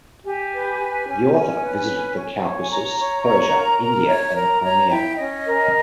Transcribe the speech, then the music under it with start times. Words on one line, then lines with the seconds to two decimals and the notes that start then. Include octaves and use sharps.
The author visited the Caucasus, Persia, India and the Crimea.
0.24 G4 G#5
0.52 B4
0.79 G4
1.07 C#4
1.34 C#4
1.61 B4
1.89 C#4
2.16 C#5
2.44 C#5
2.62 G#5
2.71 C#5 A#5
2.99 C#5
3.26 C#5
3.54 A#4
3.81 A#4
4.09 C#5
4.35 A#4 A#5
4.63 C#5 A#5
4.90 E4 G5
5.18 C#4 D#5
5.46 A#4